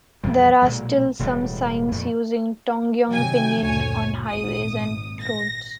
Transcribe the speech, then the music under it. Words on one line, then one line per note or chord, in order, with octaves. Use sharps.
There are still some signs using Tongyong Pinyin on highways and roads.
A#1 E2 G3
B1 A#2 F#3 G#3
E1 A2 G3
F2 A#2 A3
C3 D#3 F#3 G5 G#5
F#1 D2 A#2 C#5 G#5
G#1 A#2 D#6
A#6